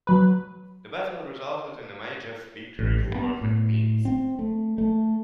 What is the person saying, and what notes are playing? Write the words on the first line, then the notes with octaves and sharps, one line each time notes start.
The battle resulted in a major victory for the Finns.
F#3 B4
A1
G2
B3
A2
C4
A3
A3